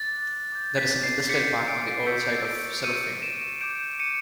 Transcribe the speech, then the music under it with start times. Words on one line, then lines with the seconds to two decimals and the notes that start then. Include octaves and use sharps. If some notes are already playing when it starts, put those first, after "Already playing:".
There is an industrial park on the old site of Cellophane.
Already playing: D6 F#6 A6
0.52 D6 G6
0.78 B6
1.03 C7
1.29 D6 G6 B6 C#7
1.49 B6 C#7
1.68 C7 D7
1.87 C7 D7
2.06 C#6 E6 G6 B6 C#7
2.45 C7 D7
2.84 C#6 E6 G6 C#7 D#7
3.22 D7 E7
3.61 D6 G6 D7 E7
4.00 C#7 D#7